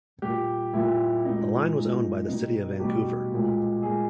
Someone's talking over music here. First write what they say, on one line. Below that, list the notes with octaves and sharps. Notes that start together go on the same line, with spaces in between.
The line was owned by the City of Vancouver.
A#2 G3 G4
A#2 G3 E4
A#2 G#3 D#4
A#2 G#3
B2 G3 D#4
B2 G3 G4
A#2 G#3
A#2 G#3 G#4